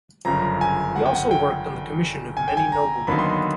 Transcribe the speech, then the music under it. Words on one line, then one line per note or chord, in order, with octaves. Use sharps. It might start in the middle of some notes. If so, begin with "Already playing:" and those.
He also worked on the commission of many noblemen.
G1 F#2 C#3 F3 A#5
G#5
F#5
G5
F#5
G5
G#5
G5
G#5
A#5
D#2 D3 F#3 B3 D#4 B5
C6
B5